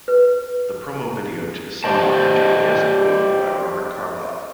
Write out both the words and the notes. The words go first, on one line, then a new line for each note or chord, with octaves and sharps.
The promo video to the song featured a guest role by Robert Carlyle.
B4
G4 C5 D5 D#5 A5